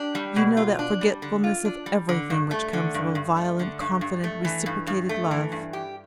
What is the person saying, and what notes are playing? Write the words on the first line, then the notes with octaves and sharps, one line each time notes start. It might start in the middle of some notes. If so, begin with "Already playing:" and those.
You know that forgetfulness of everything which comes of a violent confident, reciprocated love.
Already playing: D4 G4
G3
B2
F4
D4
G3
D3
F4
D4
G3
D3
G2
A3
D3
G2
G2
A3
D3
G2
G2
A3
E3
G2
G2
A3
E3
G2
G4